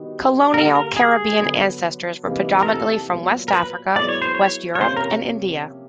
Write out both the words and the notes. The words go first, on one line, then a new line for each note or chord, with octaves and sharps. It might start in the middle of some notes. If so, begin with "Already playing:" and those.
Colonial Caribbean ancestors were predominantly from West Africa, West Europe, and India.
Already playing: D#3 G3 B3 D#4 F#4
D3 G3 A#3 A#4
A#4
G#4
D3 F#3 B3
C3 E3 G3 A#3 D#4
A#4
A4
A#2 F#3 B3
A#4
B4
F#3 B3 E4 G#4 D5
C#5
C5
C#5
C#5
C3 F3 A#3 C#4 C5
A#4